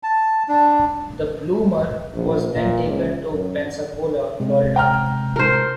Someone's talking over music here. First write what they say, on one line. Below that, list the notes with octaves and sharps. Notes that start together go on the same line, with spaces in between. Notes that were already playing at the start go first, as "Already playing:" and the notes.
The "Bloomer" was then taken to Pensacola, Florida.
A5
D4
A#1
A#2
C#2
F#2
C3 G#3
G5 A#5 F6
A#4 C5